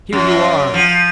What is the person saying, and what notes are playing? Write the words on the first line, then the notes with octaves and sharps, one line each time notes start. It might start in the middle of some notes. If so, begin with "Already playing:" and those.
"Here you are!"
F#2
F3